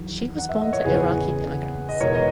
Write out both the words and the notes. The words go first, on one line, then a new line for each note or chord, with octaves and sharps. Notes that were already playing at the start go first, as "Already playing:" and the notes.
She was born to Iraqi immigrants.
Already playing: E2 D#3 F#3 B3
F#5
E5
D#5
C#5
E2 C#3 E3 B3 G#4 B4
D#5
E2 B2 G#3 B3 A#4 C#5
B4 D#5